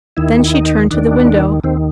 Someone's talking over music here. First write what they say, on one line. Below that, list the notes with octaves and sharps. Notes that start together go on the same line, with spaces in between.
Then she turned to the window.
D#2 D#3 E4
E4
D#4
D#2 D#3 D4
D#2 D#3 C4